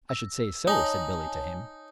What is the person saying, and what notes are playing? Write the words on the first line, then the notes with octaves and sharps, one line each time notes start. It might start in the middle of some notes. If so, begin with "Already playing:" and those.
"I should say so," said Billy to him.
E6
D#4 C#5 G#5 A5